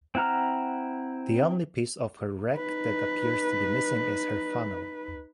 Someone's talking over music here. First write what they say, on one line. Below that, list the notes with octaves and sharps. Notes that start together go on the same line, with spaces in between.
The only piece of her wreck that appears to be missing is her funnel.
C4 E4 F#5 A#5 F6
D#4 B4